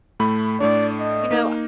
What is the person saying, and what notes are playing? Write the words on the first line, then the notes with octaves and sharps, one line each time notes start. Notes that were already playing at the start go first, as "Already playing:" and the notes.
you know, I
A2 A3 B5
A2 A3 D4 D5
D#5
A#3 D#4